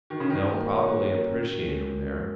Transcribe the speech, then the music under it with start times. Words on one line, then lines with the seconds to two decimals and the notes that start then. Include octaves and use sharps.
They'll probably appreciate him there.
0.10 D#3 F#4
0.20 C#3
0.29 D#3 A#4
0.48 A#3
0.69 C#5
0.88 F#4
1.07 A#4
1.27 C#4
1.46 F#4
1.66 G#3